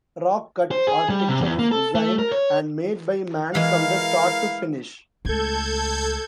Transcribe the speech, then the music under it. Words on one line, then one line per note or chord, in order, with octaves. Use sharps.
Rock-cut architecture is designed and made by man from the start to finish.
C5
G#4
G3
C3
E2
A#3
A4
A3
A#4
C#5
E3 G#3 E4 A#4 F5
C#2 A3 A4 G6 G#6